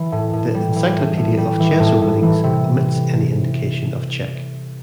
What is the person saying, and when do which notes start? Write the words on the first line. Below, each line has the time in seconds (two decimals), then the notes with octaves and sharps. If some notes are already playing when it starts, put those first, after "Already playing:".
The "Encyclopedia of Chess Openings" omits any indication of check.
Already playing: E3
0.12 A2
0.33 A2
0.55 G3
0.76 E3
0.97 A2
1.17 A2
1.38 G3
1.60 E3
1.80 A2
2.02 A2
2.23 E3
2.44 C3